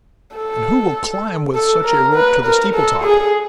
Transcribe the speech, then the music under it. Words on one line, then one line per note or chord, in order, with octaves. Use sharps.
And who will climb with such a rope to the steeple-top?
A4
A4
A#4
B4
A#4
A4
G#4